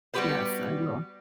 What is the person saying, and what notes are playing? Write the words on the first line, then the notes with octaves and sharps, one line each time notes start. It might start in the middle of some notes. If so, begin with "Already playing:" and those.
Yes. I will.
G3 B3 F#4 G4 B4 C5